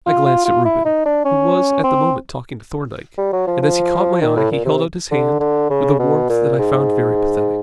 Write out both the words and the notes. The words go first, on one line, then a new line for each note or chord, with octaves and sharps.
I glanced at Reuben, who was at the moment talking to Thorndyke, and as he caught my eye he held out his hand with a warmth that I found very pathetic.
F4
F4
F4
E4
D#4
D4
C#4
C4
G3
F#3
F3
F3
D#3
A2
A#2
C3
D3
D3
C#3
B2
A#2
G#2